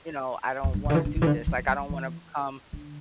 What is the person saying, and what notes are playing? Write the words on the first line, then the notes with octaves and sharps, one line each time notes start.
you know, I don't wanna do this. Like, I don't wanna become
E2
G2
B2
D3
E3
D3
B2
E3
D3
E3
E3
E3
G3
G3
E3
D3